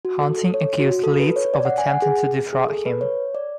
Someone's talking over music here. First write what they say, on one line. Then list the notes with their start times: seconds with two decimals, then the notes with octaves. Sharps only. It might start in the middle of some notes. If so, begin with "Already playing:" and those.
Hunting accused Leeds of attempting to defraud him.
0.05 F#4
0.21 A4
0.37 A4
0.54 C#5
0.79 F#4
0.91 F#4
1.04 A4
1.20 B4
1.36 C#5
1.54 D5
1.65 F#5
1.78 G#5
1.90 F#5
2.02 G#4
2.53 G#4
2.69 A4
2.85 B4
3.01 C#5
3.35 D5